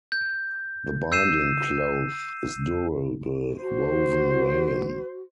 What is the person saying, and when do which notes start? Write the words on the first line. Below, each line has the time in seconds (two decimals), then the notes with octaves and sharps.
The binding cloth is durable woven rayon.
0.12 G6
1.12 E6 G6 C7 D#7 E7
3.62 F#4 C5